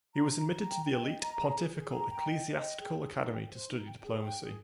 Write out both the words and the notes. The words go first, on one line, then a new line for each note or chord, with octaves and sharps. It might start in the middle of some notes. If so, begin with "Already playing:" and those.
He was admitted to the elite Pontifical Ecclesiastical Academy to study diplomacy.
A#5
A#5
A#5
G5
G5
D#5
A#5
G#4
G#4
G#4
A#5
G5
D#5
D#5
G5
G#4
G#4
D#4
G5
C5
D#4
G5
G#4
G5
G#4